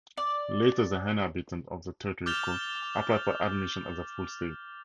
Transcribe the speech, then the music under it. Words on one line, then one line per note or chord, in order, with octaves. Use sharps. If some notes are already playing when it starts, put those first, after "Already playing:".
Later, the inhabitants of the territory could apply for admission as a full state.
D5
D6 F6 G6 A6 F7 G7